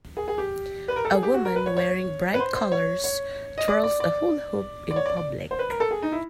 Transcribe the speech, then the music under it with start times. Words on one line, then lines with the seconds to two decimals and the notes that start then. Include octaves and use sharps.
A woman wearing bright colors twirls a hula hoop in public.
0.17 G#4
0.28 G#4
0.38 G4
0.88 B4
0.96 A#4
1.05 A4
1.13 G#4
1.23 G4
1.34 F#4
1.45 A#4
1.56 B4
1.66 C#5
1.77 C#5
2.34 B4
2.40 C5
2.56 C5
2.72 C#5
3.04 C#5
3.58 D#5
3.68 D5
3.84 D5
4.00 D5
4.91 D5
4.96 C#5
5.06 D5
5.16 D5
5.51 C5
5.59 B4
5.70 A#4
5.80 A4
5.91 G#4
6.03 D#4
6.12 E4